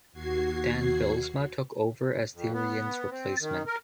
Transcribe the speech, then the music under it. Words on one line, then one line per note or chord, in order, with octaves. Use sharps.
Dan Bylsma took over as Therrien's replacement.
D#2 F#4 G#6 C7
F2
B3
C4
D#3
A#4